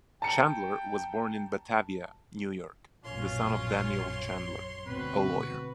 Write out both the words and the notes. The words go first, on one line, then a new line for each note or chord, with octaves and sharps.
Chandler was born in Batavia, New York, the son of Daniel Chandler, a lawyer.
G5 A5 A#5 C#7
A#1 F#2 B2 C#4 F4 C#5 C6
D2 B2 C4 F#4 B4